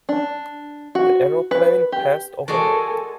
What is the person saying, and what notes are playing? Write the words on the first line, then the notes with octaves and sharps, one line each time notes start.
The aeroplane passed overhead.
D4
F#4
B4
G4
G#3 F#4 A4 A#4 D5 G#5